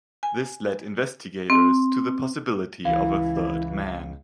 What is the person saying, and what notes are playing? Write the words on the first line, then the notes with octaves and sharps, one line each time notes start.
This led investigators to the possibility of a third man.
G#5
C4
C#2 E3 E4 F5